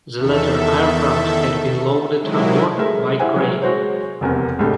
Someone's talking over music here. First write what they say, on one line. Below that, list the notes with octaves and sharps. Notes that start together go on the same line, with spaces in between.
The latter aircraft had been loaded aboard by crane.
E2 D#3 A4 E5
C3 D#3 F#3 G#3 E4
G#3 A3 A#4 E5
E4 G4 C5 F#5 G#5
E3 F#3 G#3
G#3 F#4 C5 C#5
F1 E2 C3 A#4
C2 G#2 D3 G3 A3